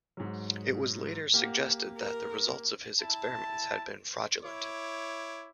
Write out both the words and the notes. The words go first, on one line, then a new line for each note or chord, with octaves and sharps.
It was later suggested that the results of his experiments had been fraudulent.
G#2 F#3
A#3 G4 F#5
A#4
E4 A5
E4 C#5 D6